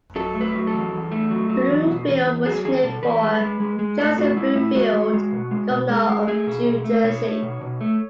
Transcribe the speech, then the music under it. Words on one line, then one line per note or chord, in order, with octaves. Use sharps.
Bloomfield was named for Joseph Bloomfield, governor of New Jersey.
F#3 A4
A3
B4
F#3
A4
E2
E2
A3
F#3
F#3
E2
B2
E2
E2
F#3 G#4
E2 G#4
B2 A4
E2 B4
G#3
G#3
G#3
G#3
A2 A4
A2 F#4
G#3 E4
A2 E4
G#3 F#4
G#3
G#3
B2
G#3
B2
G#3
G#3
A3 G#4
B2
B2
A3
B2 C#5
A3
B2
B2
A3